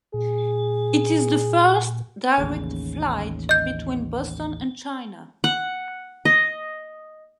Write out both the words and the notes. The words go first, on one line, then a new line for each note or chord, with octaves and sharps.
It is the first direct flight between Boston and China.
A#2 G#4
A1 D#2 C#3
D#5 G6
F#5
D#5